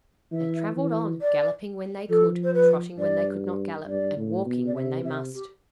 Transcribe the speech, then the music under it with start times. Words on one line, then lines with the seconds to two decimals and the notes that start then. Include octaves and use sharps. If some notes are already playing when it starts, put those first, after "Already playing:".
They traveled on, galloping when they could, trotting when they could not gallop, and walking when they must.
0.32 E3 E5
0.76 E3
1.21 D5
2.09 F3 A4
2.43 C5
2.54 B4
2.98 G2 D5
3.86 G2 D5
4.16 A2
4.45 B2
4.67 D5
4.75 C3 E5
5.04 C3 E5
5.34 G4